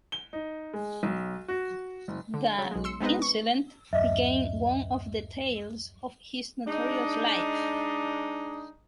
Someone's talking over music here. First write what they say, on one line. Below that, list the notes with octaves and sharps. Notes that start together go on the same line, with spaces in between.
The incident became one of the tales of his notorious life.
G7
D#4
G#3
B1
F#4
F#1
D3
C#3 F#3
B1 G#3
C6 E6 C#7
G#3 B3 C4 D#4 B4 D#5
C#6
D1 F#2 D#5 E5
G#3 D4 D#4